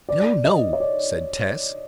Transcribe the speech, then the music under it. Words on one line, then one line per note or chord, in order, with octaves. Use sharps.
"No, no!" said Tess.
D5
D#5
C#5
D5